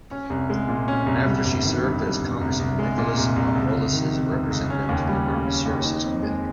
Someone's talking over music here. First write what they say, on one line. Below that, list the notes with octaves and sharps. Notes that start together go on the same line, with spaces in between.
After she served as Congressman Nicholas Mavroules' representative to the Armed Services Committee.
C#4
C2
G#3
A#2
C#4
C2
G3
G1
D#3
G2
G3
G1
C2
C2
G#3
A#2
C2
C2
C#2
C#2
D#3
C3
C#2
C#2
C#4
D#2
G3
C#3
C#4
D#2
D#4
F2
G#3